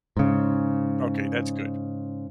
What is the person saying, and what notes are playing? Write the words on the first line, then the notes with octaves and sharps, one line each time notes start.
Okay. That's good.
G#2 C#3